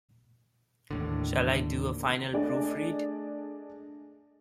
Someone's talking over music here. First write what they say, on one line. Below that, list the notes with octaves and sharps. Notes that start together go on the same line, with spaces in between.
Shall I do a final proof read?
D#2 A2 D3
A3 D4 G#4 D5 D#5